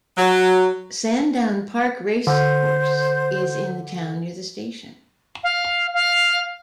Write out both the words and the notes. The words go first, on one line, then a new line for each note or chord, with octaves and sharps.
Sandown Park Racecourse is in the town near the station.
F#3
D3 C5
F5
F5